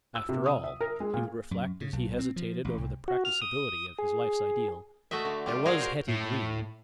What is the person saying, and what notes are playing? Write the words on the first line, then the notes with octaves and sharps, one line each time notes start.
"After all," he would reflect as he hesitated over the practicability of his life's ideal, "there was Hetty Green."
E6
C3
D#6
E5
A#4
G#3
A#2
F#2
C#3
B1
C4
F3
A1
C2
F#4
F6
D#6
G#4
A3 F#4 D#5 E5
D3
G3 F4 G4
F4 F#4 G#4 A#4 C#5 F5
A#4 C5
A2